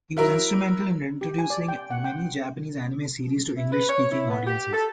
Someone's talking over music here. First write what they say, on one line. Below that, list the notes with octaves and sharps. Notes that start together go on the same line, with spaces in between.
He was instrumental in introducing many Japanese anime series to English-speaking audiences.
F#3 E4 A#4
G4
G#5
D5
G5
F#5
G5
E4
B4
C#5
E4
B3
G4
A4